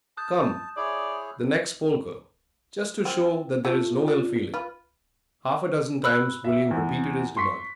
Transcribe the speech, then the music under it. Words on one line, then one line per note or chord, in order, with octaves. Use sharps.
"Come, the next polka, just to show there is no ill-feeling." Half a dozen times William repeated his demand.
A5 D#6 F#6 G6
E4 G#4 C#5 D5
C4 F4
A3 F4
D4
F4 B4
B5 E6 F#6
E5
E2
C6 C#6 B6